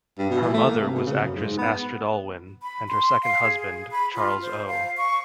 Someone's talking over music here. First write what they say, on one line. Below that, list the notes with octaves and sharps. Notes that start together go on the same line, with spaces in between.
Her mother was actress Astrid Allwyn and her second husband, Charles O.
G2
B2
E3
A3
A#3
C3
B2
C#3
F#2
G#2
B3
B5
C6
F5
G#4
B5
F4
C5
F5
C#6